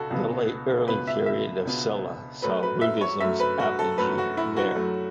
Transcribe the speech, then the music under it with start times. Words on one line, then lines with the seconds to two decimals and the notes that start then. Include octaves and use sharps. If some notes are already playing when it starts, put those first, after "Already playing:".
The late early period of Silla saw Buddhism's apogee there.
Already playing: C#2 B2 F#4 A4
0.10 C#2 B2 B3
0.87 C#2 B2 B3 B4
1.07 E5
1.26 E5
1.65 C#2 B2 B3
2.42 F#2 F#3 A3 B4
2.63 B4
2.81 E5
3.01 C#5
3.20 F#2 F#3 A3 E5
3.40 B4
3.59 F#4
3.79 A4
3.98 F#2 F#3 A3 B4
4.18 F#4
4.37 E4
4.57 F#4
4.75 F#2 F#3 A3